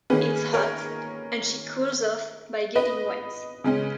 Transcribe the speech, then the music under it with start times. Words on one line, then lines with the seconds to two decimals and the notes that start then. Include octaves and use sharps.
It's hot, and she cools off by getting wet.
0.10 D#3 A#3 C#4 G#4 B4
0.54 A#4 C#5
2.75 B4 D#5
3.64 C#3 G#3 C#4